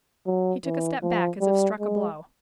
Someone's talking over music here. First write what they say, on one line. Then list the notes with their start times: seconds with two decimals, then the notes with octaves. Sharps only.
He took a step back as if struck a blow.
0.26 F#3
0.65 E3
1.02 F3
1.41 G3
1.80 G#3